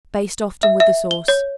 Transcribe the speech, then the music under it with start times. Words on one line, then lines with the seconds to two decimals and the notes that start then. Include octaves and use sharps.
Baste often with the sauce.
0.63 E5
0.80 E5
1.11 G7
1.28 C#5